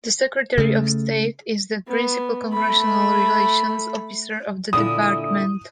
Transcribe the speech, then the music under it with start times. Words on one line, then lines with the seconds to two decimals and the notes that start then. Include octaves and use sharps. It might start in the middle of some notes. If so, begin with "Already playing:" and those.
The Secretary of State is the principal Congressional Relations Officer of the Department.
0.58 C#3 A3
1.87 B3
2.53 A3 B5
4.73 A#2 D3 E4 D#6